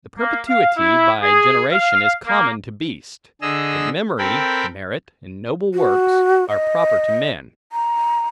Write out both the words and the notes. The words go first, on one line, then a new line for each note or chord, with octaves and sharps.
The perpetuity by generation is common to beasts; but memory, merit, and noble works, are proper to men.
A#3
F5
E4
G#4
F5
A#3
D3 G#4 D#5 E6
C4 A4 A#4 G5 B5
F#4
D#5
A#5